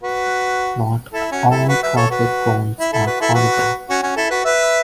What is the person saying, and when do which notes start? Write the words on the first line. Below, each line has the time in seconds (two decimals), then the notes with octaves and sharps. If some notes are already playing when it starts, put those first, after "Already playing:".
Not all traffic cones are conical.
0.03 F#4 B4
1.13 E4 A4
1.31 C#4 F#4
1.50 E4 A4
1.68 F#4 B4
1.83 B4 E5
1.96 A4 C#5
2.10 F#4 B4
2.80 E4
2.93 E4 A4
3.06 F#4 B4
3.21 E4 A4
3.34 F#4 B4
3.89 C#4 F#4
4.03 C#4 F#4
4.16 E4 A4
4.30 F#4 B4
4.44 B4 E5